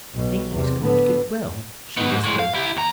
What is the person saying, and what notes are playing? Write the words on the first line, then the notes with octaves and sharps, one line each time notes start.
"I think he's going to get well," she whispered.
B1 B2
E2 C3
A2 D3 B3
D#3 B3
G#2
A2 G#3
F5
E4 G4
D#2 A#5